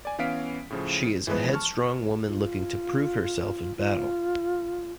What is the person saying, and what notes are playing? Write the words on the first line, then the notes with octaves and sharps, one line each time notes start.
She is a headstrong woman looking to prove herself in battle.
D5 G#5
E3 B3 C#4 F5 B6 D7
A2 C#3 F3
E3 F3 G#3 B3 B4
A5 C#6 F6
F4
F4